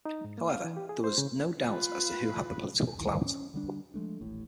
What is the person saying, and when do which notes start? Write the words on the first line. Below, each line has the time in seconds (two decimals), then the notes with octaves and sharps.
However there was no doubt as to who had the political clout.
0.05 D#4
0.24 G#2
0.38 A#3
0.49 F5
0.64 E3
0.77 G4
0.89 G#4
1.04 C5
1.18 C#3
1.59 F4 B4
3.00 C#2 F#2 D#3 E3
3.25 C#4
3.54 D3 G3 D4
3.94 F3 G#3 A3 D4
4.21 D#1 A1 A2